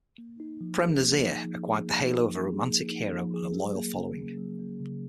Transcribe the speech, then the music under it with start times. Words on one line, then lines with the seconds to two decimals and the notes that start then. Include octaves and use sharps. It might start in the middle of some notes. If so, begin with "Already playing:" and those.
Prem Nazir acquired the halo of a romantic hero and a loyal following.
0.18 A#3
0.40 D#4
0.61 F3
0.82 G#4
1.02 A#3
1.23 D#4
1.44 F3
1.65 G#4
1.86 A#3
2.07 D#4
2.28 F3
2.49 G#4
2.71 A#3
2.91 D#4
3.12 F3
3.34 G#4
3.54 F#3
3.75 A#3
3.96 C#3
4.18 C#4
4.38 F#3
4.59 A#3
4.80 C#3